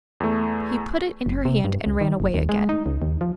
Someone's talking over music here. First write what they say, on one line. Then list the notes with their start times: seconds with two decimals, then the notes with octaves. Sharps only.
He put it in her hand, and ran away again.
0.20 E2 A3
1.26 F#1
1.45 C3
1.64 G2
1.86 C#2
2.01 D#3
2.20 F#1
2.34 D#2
2.49 G#3
2.69 D#4
2.86 C#2
3.02 D#2
3.21 F3